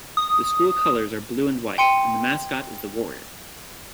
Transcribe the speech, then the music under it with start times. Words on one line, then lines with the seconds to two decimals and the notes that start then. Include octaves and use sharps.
The school colors are blue and white, and the mascot is the Warrior.
0.17 D#6
1.78 G5 C6 C#7 D#7